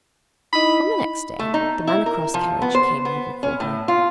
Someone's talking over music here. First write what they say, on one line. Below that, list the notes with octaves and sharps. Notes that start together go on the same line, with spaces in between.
On the next day the Manor Cross carriage came over for her.
D#4 E4 D#5 B5
A3
D#4
E4
A#4
F3
B3
C5
B3
C#4
A2
F4